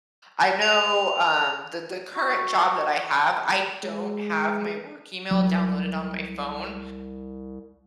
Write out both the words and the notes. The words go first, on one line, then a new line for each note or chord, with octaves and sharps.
I know, um, the the current job that I have, I don't have my work email downloaded on my phone,
F7
F#4
G#3
C2 F#3